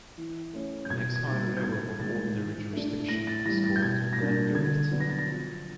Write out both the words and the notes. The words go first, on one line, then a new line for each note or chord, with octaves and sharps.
The next higher level of ordinary jurisdiction is called Landgericht.
E3
A3 C#4
G6
B2 G#6
G#6
G3 A#3 D#4 A6
G6
C3 G#6
D#3 G#3 A6
E3
A3 D4
A2 A#6
A6
E3 G3 A#6
A6
G6
B2 G#6
A#6
G3 A#3 D4 A6
D3 G#6
F#3 B3 D4
A#6
A6
A#6
F3